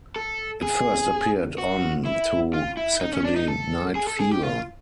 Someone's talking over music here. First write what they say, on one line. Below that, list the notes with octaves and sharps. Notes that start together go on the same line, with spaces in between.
It first appeared on to "Saturday Night Fever".
A4
G#4
F#4
E4
F4
E4
D#4
C#4
D4
D#4
A4
G#4
A4
G#4
G4
F4